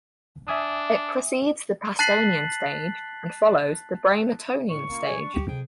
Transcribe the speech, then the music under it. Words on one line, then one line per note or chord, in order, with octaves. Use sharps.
It precedes the Pastonian Stage and follows the Bramertonian Stage.
D4 E5 G#5 D#6
A5 F#6 A6 B6 C7 F#7
A2 C#6
D3 A#3 C#4 F4
G#4 G#5
D4
G3 G4
F2 C3 F3 G#4 G5